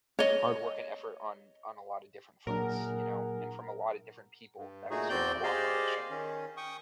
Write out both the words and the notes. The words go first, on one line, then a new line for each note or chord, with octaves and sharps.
hard work and effort on on a lot of different fronts, you know, and from a lot of different people, that sort of cooperation.
C#5 D#5
A#2 F#3 D4 E4 G#4 A#4 F#5
G2
A#2 A3 D#4 F#4 G#4
E2 C4 F#4 D5 G5 G6
G4 G#4 C5 D5 D#5 F5
D#3 C#4
G5 C#6 D#6